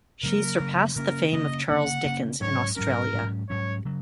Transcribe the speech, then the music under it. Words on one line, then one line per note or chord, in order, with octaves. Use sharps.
She surpassed the fame of Charles Dickens in Australia.
C#3 F#3 A#3 A#4
C#3 F#3 A#3
C#3 A#3 C#4 A#4
C#3 A#3 C#4 D#5
C#3 A#3 C#4 F#5
C#3 A#3 C#4
G#2 F#3 C#4 C#5
G#2 F#3 C#4 A#4
G#2 F#3 C#4
G#2 F#3 C#4 C#5
C#3 F#3